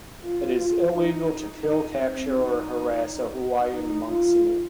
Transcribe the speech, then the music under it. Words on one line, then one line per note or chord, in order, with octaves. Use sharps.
It is illegal to kill, capture or harass a Hawaiian monk seal.
F4
D#4
D#4
C4
D#4
D#4
F4